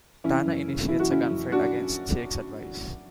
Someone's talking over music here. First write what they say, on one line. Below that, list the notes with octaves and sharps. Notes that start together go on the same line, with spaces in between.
Tanner initiates a gunfight against Jake's advice.
E3 C#4 E4
F#2
C#3
E3 E4
F#4
C#3 C#4 E4
F#2
D4 F#4